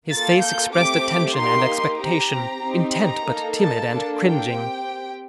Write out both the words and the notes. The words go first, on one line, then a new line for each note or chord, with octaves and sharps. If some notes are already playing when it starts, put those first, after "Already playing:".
His face expressed attention and expectation, intent but timid and cringing.
A#3 F4 A4 A6
G6
A3 C4 G4 D6
A#3 D#4 G4 C6
C4 G4 A#5
C4 D#4 G4
A#5
A#3 D#4 A4
A5
A#3 D4 A4
G5
C4 G4